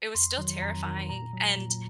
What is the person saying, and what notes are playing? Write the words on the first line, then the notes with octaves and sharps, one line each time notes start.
it was still terrifying, and
F2 C6
D#3 F#3
F2 A#5
D#3 F#3
A#2 A#5
F#3
A#2